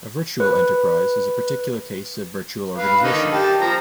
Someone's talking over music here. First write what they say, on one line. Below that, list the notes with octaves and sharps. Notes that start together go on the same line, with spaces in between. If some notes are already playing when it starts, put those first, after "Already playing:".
A virtual enterprise is a particular case of virtual organization.
B4
B4 F5
D3 D#3 D#4
G4 A5
F3 A#5